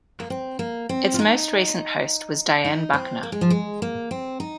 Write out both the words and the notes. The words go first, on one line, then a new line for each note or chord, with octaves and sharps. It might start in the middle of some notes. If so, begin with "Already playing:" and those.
Its most recent host was Dianne Buckner.
A#3
C4
A#3
C4
F4
D#4
D#4
C4
A#3
G#3
F3
G#3
A#3
C4
D#4